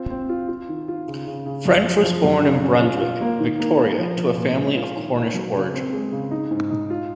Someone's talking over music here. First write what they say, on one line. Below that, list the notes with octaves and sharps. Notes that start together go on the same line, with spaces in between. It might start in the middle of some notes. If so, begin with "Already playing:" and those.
French was born in Brunswick, Victoria to a family of Cornish origin.
Already playing: C4 F4
C4
F4
F4
D#3
F4
C#3
C#3
C#3
F#2
F3
F3
F#2
C#3
C#4
F4
F4
A#3
D#3
A#3
A#3
F3
F3
A#2
G#3
F4
D#3
A#3
F#3
C#3
C4
G#3
C#3
D#4
G#2
D#4
F4